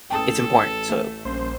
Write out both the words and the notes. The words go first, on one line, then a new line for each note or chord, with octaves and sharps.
it's important, so
A1 A4 G5 A5 D#6
A3
A#1 G3 A#3 C#4 C5